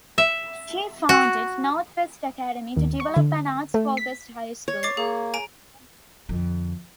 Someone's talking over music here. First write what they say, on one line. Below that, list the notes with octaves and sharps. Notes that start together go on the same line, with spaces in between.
She founded Northwest Academy to develop an arts-focused high school.
E5
F#4
D#2
C#6
D3
A3
B6
C#5
D6 A6 C7
A#3 G#4
G#5 A#5 D7
F2 D3